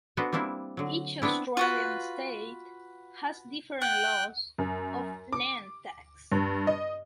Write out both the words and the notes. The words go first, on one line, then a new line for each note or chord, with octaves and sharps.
Each Australian state has different laws of land tax.
B3 D4 F#4 A4 B4 C5
G3 A#3 C4 D4 E4
D3 F#3
B3 C4 D4 E4
F4 F#4 B4
F#5 G5 F#6
F#2
D6
G2
D#5